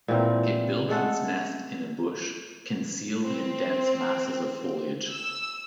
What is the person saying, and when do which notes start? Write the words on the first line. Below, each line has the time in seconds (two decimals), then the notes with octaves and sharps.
It builds its nest in a bush, concealed in dense masses of foliage.
0.08 A#2 E3 C4 A#4
0.89 G#3 A3 A4 F#5
3.24 C4
5.10 E6